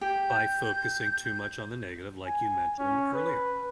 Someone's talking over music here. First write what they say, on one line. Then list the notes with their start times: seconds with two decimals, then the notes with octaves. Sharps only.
By focusing too much on the negative, like you mentioned earlier.
0.01 G4 G6
2.26 G#5
2.79 C#4
3.14 B4